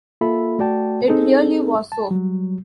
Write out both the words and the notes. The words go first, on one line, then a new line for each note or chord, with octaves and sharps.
It really was so.
A#3 F4 A4 E5 B5
A3 F#4 D5 G5 A5
C4 D#4 G#4 A4
A5
F#3 G3